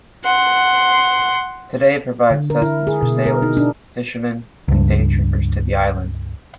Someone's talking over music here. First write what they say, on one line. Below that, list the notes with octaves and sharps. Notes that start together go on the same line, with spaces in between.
Today it provides sustenance for sailors, fishermen and day-trippers to the island.
F#5 C6
D3
A#4
E4
G#4
B2
A#4
D#4
D4
C#2 G2